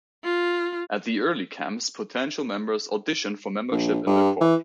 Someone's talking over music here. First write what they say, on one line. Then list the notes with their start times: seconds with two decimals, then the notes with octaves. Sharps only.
At the early camps, potential members audition for membership in the corps.
0.24 F4
3.72 A#1
4.06 G2
4.41 E3